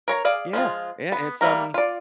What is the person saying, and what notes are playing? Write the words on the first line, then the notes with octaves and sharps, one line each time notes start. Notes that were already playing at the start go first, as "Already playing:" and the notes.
Yeah, yeah, it's, um,
A#4 C#5 A#5
G#4 D5 F5
F3 G#3 F4
B3
G3 A3 A#3 A#4 A#5
F4 D5